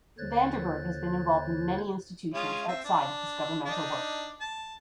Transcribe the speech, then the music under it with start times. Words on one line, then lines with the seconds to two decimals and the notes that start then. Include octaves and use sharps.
Van der Burg has been involved in many institutions outside of his governmental work.
0.18 D#2 D3 C5 C#5 F#6 A6
2.34 G#3 C#4 F4
2.68 C4 E5
2.85 D4
3.66 D4 D#4
4.40 A5